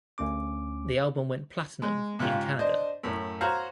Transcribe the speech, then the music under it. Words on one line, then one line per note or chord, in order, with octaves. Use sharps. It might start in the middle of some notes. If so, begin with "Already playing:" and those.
The album went Platinum in Canada.
D2 C#4 D6
G#3
G#2 C#3 F4 G4
D4 C5 D#5
F#2 A2
F#4 C5 C#5 F5 A#5